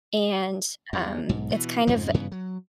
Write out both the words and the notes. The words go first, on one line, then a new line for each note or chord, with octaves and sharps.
and, um, it's kind of
E2
B1 G#2
B2 E3
F2 G#2 C#3 F3
G2 C#3 E3 B3
F#3